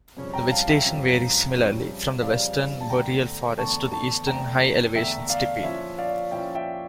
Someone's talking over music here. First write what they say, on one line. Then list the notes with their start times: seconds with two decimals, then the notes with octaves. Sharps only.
The vegetation varies similarly, from the western boreal forest, to the eastern high-elevation steppe.
0.17 F2 C#3 G3 C#4
0.34 G5 A#5
0.51 F5 A5
0.68 E5 G5
0.85 F2 C#3 G3 C#4
1.53 F2 C#3 G3 C#4
2.22 F2 C#3 G3 C#4 D5 F5
2.81 A5
2.90 E2 D3 A3 G5 A#5
3.58 E2 D3 A3 A5 C#6
3.93 A5 C#6
4.27 E2 D3 A3 G5 A#5
4.95 E2 D3 A3 E5 G5
5.29 D5 F5
5.63 A#2 F3 C#4 E4 C#5 E5
5.98 D5 F5
6.31 A#2 F3 C#4 E4 E5 G5
6.55 E5 G5